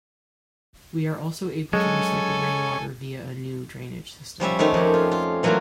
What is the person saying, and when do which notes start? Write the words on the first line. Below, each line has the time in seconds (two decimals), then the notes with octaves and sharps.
We are also able to recycle rain water via a new drainage system.
1.73 F#3 G#3 C#4 A4 C#5 G#5
4.40 F3 G3 C#4 E5
4.59 D#3 A3 C4 C#4 D#4
4.74 F2 G4
4.94 F4
5.11 F4
5.43 E3 F#3 A3 A#3 C#4 F4